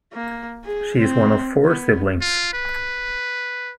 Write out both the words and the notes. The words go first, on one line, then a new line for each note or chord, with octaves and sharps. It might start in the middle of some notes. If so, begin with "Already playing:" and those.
She is one of four siblings.
A#3
G#4
C4
B3
F4
B4